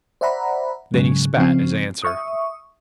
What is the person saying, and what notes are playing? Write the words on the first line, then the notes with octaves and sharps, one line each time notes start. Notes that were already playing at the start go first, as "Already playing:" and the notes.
Then he spat, as answer.
C5 D5 E5 F#5 A#5 B5
G#2 C#3 F#3 G#3
C#3 F3 C4
E5 C#6 D#6